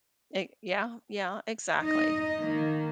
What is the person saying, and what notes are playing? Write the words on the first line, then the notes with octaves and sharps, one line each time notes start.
E yeah, yeah, exactly.
D#4 D#5
D#3 A#3